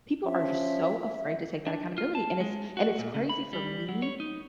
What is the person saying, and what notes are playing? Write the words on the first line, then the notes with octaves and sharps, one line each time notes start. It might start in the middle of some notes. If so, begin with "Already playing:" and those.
people are just so afraid to take that accountability, and it's and it's crazy for me
F3 C#4 E5
D4
F4
A5
G#3
F#4
A#2
C#3
B5
G3
F#3
C#5
D#4